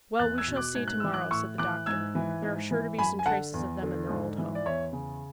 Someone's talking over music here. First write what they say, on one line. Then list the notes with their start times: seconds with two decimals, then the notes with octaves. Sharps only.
"Well, we shall see to-morrow," said the doctor; "there are sure to be some traces of them in their old homes."
0.19 E2 F#6 A6
0.38 E6 G#6
0.48 B2
0.56 D6 F#6
0.75 G#2 G#6
0.88 F#6
1.00 E3 E6
1.13 D6 F#6
1.31 A2 C#6 E6
1.58 E3 D6 F#6
1.86 G#2 E6 G#6
2.15 E3
2.43 G#2
2.71 E3
2.98 F#2 G#5 B5
3.19 G#5
3.26 D3 F#5 A5
3.54 E2
3.82 D3
4.09 G#2
4.38 E3
4.55 D5
4.66 E2 C#5 E5
4.93 C#3